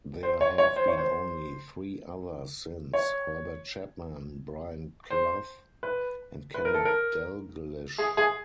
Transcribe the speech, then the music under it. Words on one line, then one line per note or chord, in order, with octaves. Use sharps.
There have been only three others since; Herbert Chapman, Brian Clough and Kenny Dalglish.
C5
C#5
C#5
C5
C#5
C5
C#5
C5
B4
B4
A#4
A4
A#4
G#4
G#4